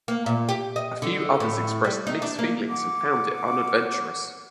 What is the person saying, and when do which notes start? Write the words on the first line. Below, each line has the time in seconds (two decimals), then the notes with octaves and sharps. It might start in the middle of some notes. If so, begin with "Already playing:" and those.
A few others expressed mixed feelings and found it unadventurous.
0.08 A#3
0.26 A#2
0.49 G4
0.76 D#5
1.02 D3
1.40 A2
1.85 G3
2.07 D#4
2.22 D4
2.39 A#3
2.69 F#5 D6